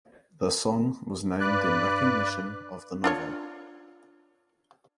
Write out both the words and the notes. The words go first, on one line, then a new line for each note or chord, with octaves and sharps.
The song was named in recognition of the novel.
G2 B4 D5 F#6
D4 F4 C#5